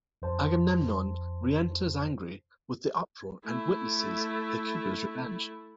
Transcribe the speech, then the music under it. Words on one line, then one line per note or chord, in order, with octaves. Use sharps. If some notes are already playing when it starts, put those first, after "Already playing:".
Agamemnon re-enters angry with the uproar and witnesses Hecuba's revenge.
F2 C5 A5
A3 E4